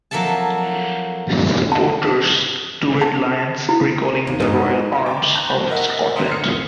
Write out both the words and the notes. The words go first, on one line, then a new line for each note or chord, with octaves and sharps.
Supporters: Two red lions, recalling the royal arms of Scotland.
F2 F#3 A#3 A4 E5 A5
A5
A5
E4
D#2
G2 G#3 D#4
F#4
G5 A5 C#6 D6
A5 A#5 C6 C#6 F#6 G6
F#4 A#4 D#5 E5 F#5
D3 C5 E5 A#5 C6 D#6
F6 C7 C#7